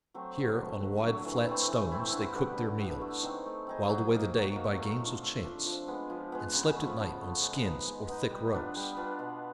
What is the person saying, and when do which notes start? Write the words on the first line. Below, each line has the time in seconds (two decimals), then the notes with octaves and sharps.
Here, on wide flat stones, they cooked their meals, whiled away the day by games of chance, and slept at night on skins or thick rugs.
0.14 F#3 A3 C4
0.37 D3
0.58 F#3 A3
0.80 D3
1.02 F#3 A3
1.25 E3
1.47 A3 C4 E4
1.68 E3
1.91 A3 C4 E4
2.13 D3
2.35 G3 B3 D4
2.57 D3
2.79 G3 B3 D4
3.01 A3
3.23 C4 D#4 G#4
3.46 A3
3.67 C4 D#4 G#4
3.89 F#3
4.12 A#3 D#4
4.34 F#3
4.55 A#3 D#4
4.78 A3
5.00 D4 F4
5.22 A3
5.43 D4 F4
5.66 F3
5.88 G#3 B3
6.10 F3
6.32 G#3 B3
6.54 C#3
6.76 F3 A3
6.99 C#3
7.20 F3 A3
7.42 G#3
7.65 B3 D#4
7.87 G#3
8.08 B3 D#4
8.30 G3
8.52 B3 D4 F4
8.75 G3
8.97 B3 D4 F4
9.19 B2